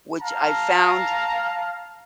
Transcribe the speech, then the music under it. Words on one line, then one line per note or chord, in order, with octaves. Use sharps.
which I found
F5 A5 A#5